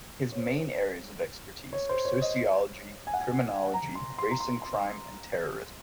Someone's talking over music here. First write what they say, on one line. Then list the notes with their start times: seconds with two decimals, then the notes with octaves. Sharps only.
His main areas of expertise are sociology, criminology, race and crime, and terrorism.
0.32 C#5
0.38 C5
1.73 C#5
1.89 C5
2.05 C#5
2.22 D#5
3.07 G#5
3.13 F#5
3.21 G#5
3.74 A#5
3.95 C6
4.18 C6
4.31 A#5
4.40 C6
4.63 C6
4.85 C6